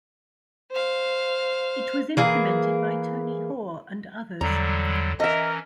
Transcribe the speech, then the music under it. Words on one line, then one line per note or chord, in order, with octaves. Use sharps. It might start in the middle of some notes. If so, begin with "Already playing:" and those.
It was implemented by Tony Hoare and others.
C5 F5
E3 A#3 G#4
E2 D3 F#3 G3 A#5
E3 C#4 A#4 D#5 E5